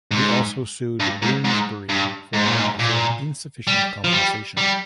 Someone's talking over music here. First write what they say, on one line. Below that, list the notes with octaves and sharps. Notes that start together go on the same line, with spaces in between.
He also sued Bloomsbury for offering insufficient compensation.
G#2
G2
G#2
G#2
G2
G#2
A#2
G#2
A#2
G3
F3
G3
G3